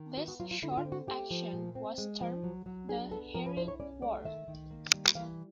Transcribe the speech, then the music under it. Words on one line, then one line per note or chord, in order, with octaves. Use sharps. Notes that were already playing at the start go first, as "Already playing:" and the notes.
This short action was termed 'The Herring War'.
Already playing: D#3
B3 F#4
F#4
F#3 F4
F4
D3 E4
F#4
F4
C4
F#4
A3 G4
F3
A#2
C4
G#3
F3
F#3
F#3
D4 G#4
B3 A4
F3 A#4
B4
E4 C5
C#5
C#4 D5
A3 D5
D#3 E5
D#3
A#3
G3
E3 F5